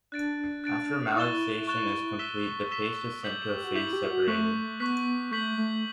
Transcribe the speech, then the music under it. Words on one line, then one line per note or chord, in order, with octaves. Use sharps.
After malaxation is complete, the paste is sent to a phase separator.
D4 F#6 A6 D7
F#6 A6 D7
E4 C#6 F#6 A6 E7 G7
C#6 F#6 A6 E7 G7
E6 B6 E7 G7
E6 B6 E7 G7
D6 G6 B6 F#7
G4
F#4
E4 D6 G6 B6 F#7
G4
E4
F#4
A3 C#6 F#6 B6
B3 C#6 F#6 B6
A3 C#6 G6 B6 F#7
A3